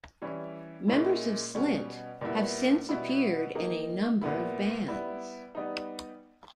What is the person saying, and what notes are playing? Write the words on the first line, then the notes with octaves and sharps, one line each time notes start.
Members of Slint have since appeared in a number of bands.
E3 G3 C#4 E4
A#2 G#3 C#4 E4
B2 G3 C#4
A#2 G3 B3 E4
B2 G3 B3 E4
D#3 A#3 D#4
A#2 G3 B3 E4
G3 B3 E4
G3 B3 D#4